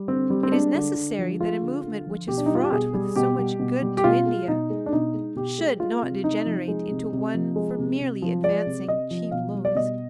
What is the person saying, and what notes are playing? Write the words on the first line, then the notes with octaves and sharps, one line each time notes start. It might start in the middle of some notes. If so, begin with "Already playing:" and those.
It is necessary that a movement which is fraught with so much good to India should not degenerate into one for merely advancing cheap loans.
Already playing: G3
D3 C4
G3
C4
G#3 D4
D3
D3
F3
G#3 F4
D3
D3
F3
B2 G4
D4
D#4
G3 F4
G4
B2 G#4
G3
B2 G4
G3
B2
G3
G4
B2 F4
G#3
B2 D#4
G#3
D4
B2 D#4
G#3
B2 G4
G#3
G#3 F4
C3
C3 D#4
F3
G#3
C3
C3
F3
G#3
C3
C3
F3
G#3 D5
C3
C3 D#5
F3
B2 F5
G3
D5
B2 D#5